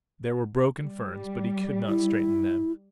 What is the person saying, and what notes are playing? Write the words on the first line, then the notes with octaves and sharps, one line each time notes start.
There were broken ferns, but he could not straighten them.
G3
E4